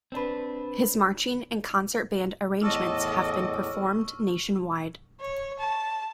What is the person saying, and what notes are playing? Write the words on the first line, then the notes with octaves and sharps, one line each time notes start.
His marching and concert band arrangements have been performed nationwide.
C4 D4 B4
E2 A2 A4 D#5 C#6 D6 E6 F6
C#5
A5